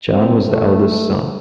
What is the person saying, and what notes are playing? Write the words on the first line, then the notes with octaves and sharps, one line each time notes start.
John was the eldest son.
C4
A3